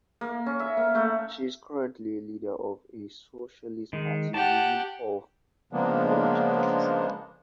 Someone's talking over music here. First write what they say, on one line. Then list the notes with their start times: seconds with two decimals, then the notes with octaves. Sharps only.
She is currently a leader of a socialist party Reason of the Polish Left.
0.21 A#3
0.46 C#4
0.60 E5
0.77 A#3
0.95 A3
3.93 D#3 G#3
4.34 G4 F#5 A5
5.73 C#3 F3 G#3 A#3 B3 D4